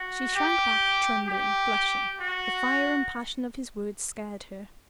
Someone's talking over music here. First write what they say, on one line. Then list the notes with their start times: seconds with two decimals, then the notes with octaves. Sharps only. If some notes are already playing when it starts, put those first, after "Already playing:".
She shrank back, trembling, blushing; the fire and passion of his words scared her.
Already playing: F#4
0.35 G4
1.28 G4
2.20 F#4